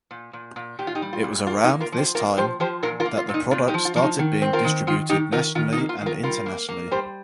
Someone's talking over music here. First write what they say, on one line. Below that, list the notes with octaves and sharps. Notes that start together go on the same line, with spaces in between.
It was around this time that the product started being distributed nationally and internationally.
A#2
A#2
A#2
A#2 G4
F4
D#4 G4
G3
F4
A#2
A#3 F4
D#4 G4
A#3
F4 A#4
F3
G4 C5
A#3 F4 A#4
F3 G4 C5
F3 G4 C5
A#2 F4 A#4
F4 A#4
A#3
F4
A#2
D#4
A#2 F4
D#4 G4
F3
F4
F3
D#4
D#3
C4
F4 A#4
D#3
D#3 F4
D#3 D#4 G4
D#3 F4 A#4
D#3 F4
D#4
A#3
F4
D#3
F4 A#4
G3 F4 A#4
A#3
A#3
G3 G4 C5